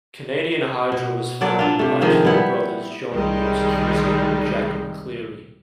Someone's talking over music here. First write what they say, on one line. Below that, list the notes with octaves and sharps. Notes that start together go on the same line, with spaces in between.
Canadian Hydro was founded by two brothers John and Ross Keating with Jack McCleary.
B2
F#3 A4 D5
D4 F4
C3 A3
D#3 F3 G#3 C4
G3 B3 E4
C2 D#3 G3 G#3